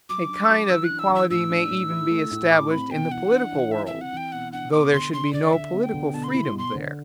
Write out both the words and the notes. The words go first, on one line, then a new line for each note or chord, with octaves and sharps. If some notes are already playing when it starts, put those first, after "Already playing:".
A kind of equality may even be established in the political world, though there should be no political freedom there.
F#3 D6
D4
F#3
E3 E6
F#6
D4
E6
E3
E6
A2 E6
D4
A2
E4
A3
A2
E4 D6
C4 B5
B2 G5
E3 F#5
D4
E3
E4 E5
E5
C4
F#5
E3 G5
B2 F#5
D4 F#5
B2 D6
D3 C6
D4 C6
D3 D5
D3 E5
B3
G5
D3
B2 A5
C6
B5
E4
C6
B2
C6
D3